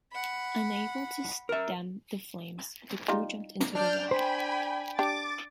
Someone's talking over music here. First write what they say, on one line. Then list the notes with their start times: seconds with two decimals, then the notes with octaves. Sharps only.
Unable to stem the flames, the crew jumped into the water.
0.12 F#5 B5
1.49 A#4 E5
3.08 G3 D#4 F4
3.75 D4 D5 F6 G6
4.11 C5 G5 G#5 B5
4.99 D4 G4 D6 A6